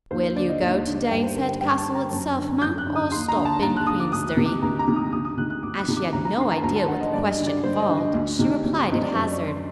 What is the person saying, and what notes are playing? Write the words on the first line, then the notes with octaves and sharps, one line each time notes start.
"Will you go to Daneshead Castle itself, ma'm, or stop in Queensderry?" As she had no idea what the question involved, she replied at hazard.
D#2 C5
C5
D3 D5
D#5
D#2 D#5
D3
G2 G5
C5
D3 A#4
G5
G2 G5
A5
D3
A#5
F#2
D3
F#2 G6
F#6
D3
D#6
D#2 C6
A#5
D3
A5
D#2 A#5
F#6
D3 D#6
D6
D2 D#6
D#6
F#6
C3 D#3
D6
D2 A#5
A#5
C3 D#3
D#6
D2 D#6
D#6
C3 D#3 F#6
F#6
D2 D6
F#6
C3 D#3
D6
D2 A#5
A#5
D3 C6
A#5
A5
D2 A#5
A5
D3 F#5
D#5
G2 D5
D#5
D3
D5
G2 C5
D#5
D3
D#5
D2
C3 D#3
D2
C3 D#3 D#5
D5
F#2 C5
D#5
D5
D3
C6